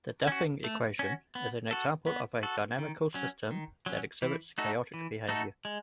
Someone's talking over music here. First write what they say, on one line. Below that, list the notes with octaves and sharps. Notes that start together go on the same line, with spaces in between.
The Duffing equation is an example of a dynamical system that exhibits chaotic behavior.
C#4 F#4
A3
C#4 F#4
B3
F#4 A4
B3
F#4 A4
D#3
F#3 C#4
D#3
F#3 C#4
E3
A3 D#4 F#4 A4
E3
A3 D#4 F#4 A4
G#3